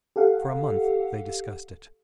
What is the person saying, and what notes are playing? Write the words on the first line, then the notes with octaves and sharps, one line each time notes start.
For a month they discussed it.
G4 A4 F5 F#5